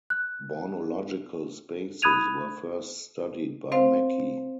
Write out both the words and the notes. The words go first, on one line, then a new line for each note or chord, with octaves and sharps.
Bornological spaces were first studied by Mackey.
F#6
B5 D#6 F#6 G#6 D#7 F7
C4 C5 F5